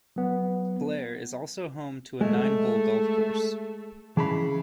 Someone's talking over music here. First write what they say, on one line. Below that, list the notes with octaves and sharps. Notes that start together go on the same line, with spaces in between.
Blair is also home to a nine-hole golf course.
F#3 B3
G#3 A3
C#3 E3 A5 B5